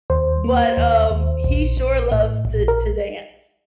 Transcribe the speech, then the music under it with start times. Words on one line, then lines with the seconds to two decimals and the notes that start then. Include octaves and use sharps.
but, um, he sure loves to to dance.
0.10 D#2 C5
0.44 A#3
0.77 D#2
1.11 D#2
1.44 A#1
1.77 A#1
2.12 A2
2.45 A#1
2.68 A#4